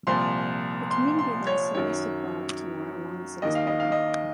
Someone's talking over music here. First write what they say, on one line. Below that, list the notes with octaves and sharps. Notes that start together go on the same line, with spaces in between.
The community lies to the west of Baltimore along the city's border.
C2 A#2 F3 C6
C6
C6
C#5
F#2 D#3 C#5
D#2 D#3 D#5
F5
D#5
F5
D#5